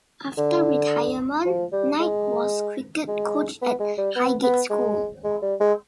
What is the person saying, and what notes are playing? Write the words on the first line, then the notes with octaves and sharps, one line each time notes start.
After retirement, Knight was cricket coach at Highgate School.
D3
F3
G3
G#3
G#3
B3
G#3
G3
B3
B3
G#3
G#3
G3
G#3